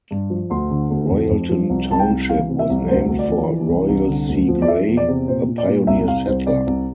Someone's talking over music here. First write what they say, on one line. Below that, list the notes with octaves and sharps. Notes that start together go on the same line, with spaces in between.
Royalton Township was named for Royal C. Gray, a pioneer settler.
G2
F3
D2 C6
D3
D2
F2
F2
F3
C2
C2 A5
G5
C2
E3 F5
C3
E5
C2
D2 C5
D2
D5
F3
E3
C2
C2
D3
D2
F3
D5
F3 E5
E2
D5
C3
A#2 C5
A#2
D5
A#2
C2 E5
C2 F5
C2 C5
C3 D5
C2